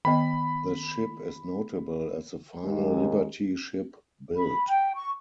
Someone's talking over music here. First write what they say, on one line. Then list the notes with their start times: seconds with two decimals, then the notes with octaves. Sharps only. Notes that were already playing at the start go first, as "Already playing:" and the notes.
The ship is notable as the final liberty ship built.
0.05 D#3 B3 D#5 B5
2.64 D#2 G#3
4.37 B5
4.68 G5
4.95 C#6